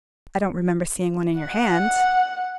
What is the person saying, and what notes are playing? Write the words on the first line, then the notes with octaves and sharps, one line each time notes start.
"I don't remember seeing one in your hand."
F#5